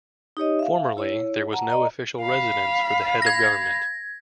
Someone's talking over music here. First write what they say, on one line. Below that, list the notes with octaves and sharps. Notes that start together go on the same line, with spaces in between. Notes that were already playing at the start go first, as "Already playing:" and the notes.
Formerly there was no official residence for the head of government.
D#4 G4 C#5 D#5
E5 F5
E4 C#5
F#5 A5 A#5
D5 D#5 A#5
F5 B5
G#6 A#6